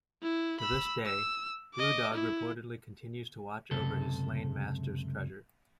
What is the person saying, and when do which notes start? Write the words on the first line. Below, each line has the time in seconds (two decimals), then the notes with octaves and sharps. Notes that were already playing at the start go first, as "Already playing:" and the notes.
To this day, Blue Dog reportedly continues to watch over his slain master's treasure.
0.23 E4
0.60 B5 E6
1.06 E6
1.75 D#5 D6
2.14 E4
3.71 C#2 F#2 C3 A4